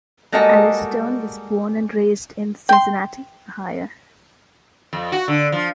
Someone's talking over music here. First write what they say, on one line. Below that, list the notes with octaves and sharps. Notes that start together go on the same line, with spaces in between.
Alice Stone was born and raised in Cincinnati, Ohio.
G3 G#3 A#3 F#4 A4 D#5
G5 C6
F2
F#4
D3
F3